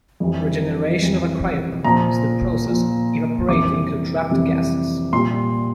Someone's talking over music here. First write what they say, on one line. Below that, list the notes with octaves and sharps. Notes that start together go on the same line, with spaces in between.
Regeneration of a cryopump is the process of evaporating the trapped gases.
F2 E3 G3
F2 E3 G3
A#2 F3 A#5
A#2 F3
F2 C3 E3 G3 D6
F2 C3 E3 G3
A#2 G3 C6